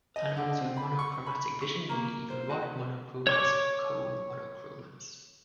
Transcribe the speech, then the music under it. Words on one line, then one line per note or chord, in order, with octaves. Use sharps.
Animals with monochromatic vision may be either rod monochromats or cone monochromats.
D#5
D3
C4
B5
C#6
B5
C#6
A#3
C5
F#4
C#5 C#6 D6